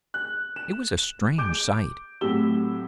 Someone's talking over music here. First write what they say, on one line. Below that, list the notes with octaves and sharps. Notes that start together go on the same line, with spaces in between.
It was a strange sight.
F#6
E7
D6 G6 D7
A2 F#3 C4 G4 E6 G7